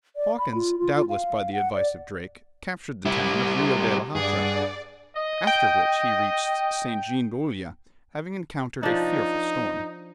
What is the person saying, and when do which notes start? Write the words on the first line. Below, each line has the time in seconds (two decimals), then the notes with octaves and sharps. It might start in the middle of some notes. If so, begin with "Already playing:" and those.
Hawkins, doubtless by the advice of Drake, captured the town of Rio de la Hacha; after which he reached St. Jean d'Ulloa, having encountered a fearful storm.
0.16 D5
0.38 B5
0.55 F4
0.79 F4
0.96 F4
1.09 F5
1.53 F#5
1.74 D5
3.05 G3 E4
4.15 G2 G#4 D5 F#5
5.16 D#5
5.47 G5
8.83 F3 D4 D#4